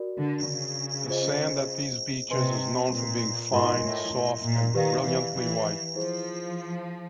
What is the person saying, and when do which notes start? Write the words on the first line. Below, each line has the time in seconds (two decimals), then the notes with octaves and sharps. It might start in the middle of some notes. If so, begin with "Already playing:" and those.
The sand at these beaches is known for being fine, soft, and brilliantly white.
Already playing: F#4 A#4 D5
0.18 D3
0.48 C#3
1.09 F4 G#4 C5 D#5
2.30 C3 B4 D#5 G#5 C6
2.91 A#2
3.53 G#2 F4 A#4 D#5 G#5 C6
3.83 A2
4.14 A2
4.44 A#2
4.74 D#3 G4 B4 D5 F5
5.04 E3
5.35 E3
5.96 F3 E4 G#4 C5